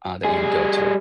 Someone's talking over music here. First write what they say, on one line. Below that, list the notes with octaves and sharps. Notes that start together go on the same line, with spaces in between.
uh, that you would go to?
G3 G#4